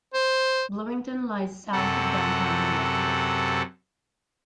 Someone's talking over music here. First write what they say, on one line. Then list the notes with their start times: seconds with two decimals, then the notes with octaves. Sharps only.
Bloomington lies south of downtown Minneapolis.
0.14 C5
1.72 F#2 C3 A4 F#5